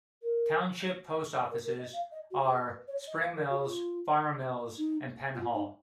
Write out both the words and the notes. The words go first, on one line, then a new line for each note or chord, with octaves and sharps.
Township post-offices are Spring Mills, Farmers Mills, and Penn Hall.
A#4
B4
A#4
A#4
D#5
F5
D#5
F#4
G#4
B4
C#5
D#5
F5
A#4
F#4
F4
D#4
F4
D#4